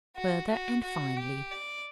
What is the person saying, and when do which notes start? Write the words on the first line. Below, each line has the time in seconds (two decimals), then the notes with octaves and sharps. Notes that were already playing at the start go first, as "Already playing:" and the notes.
Further, and finally.
0.16 F#4
0.50 F#4
0.83 F#4
1.16 G4
1.51 D5